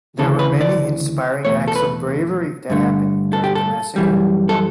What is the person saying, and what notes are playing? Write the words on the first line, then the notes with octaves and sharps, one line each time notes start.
There were many inspiring acts of bravery that happened during the massacre.
D2 C#3 E3 A4
B4
D5
E2 B2 A3 C#5
A4
B4
G2 D3 A3
A4
G4
A4
F#2 E3 G3
A4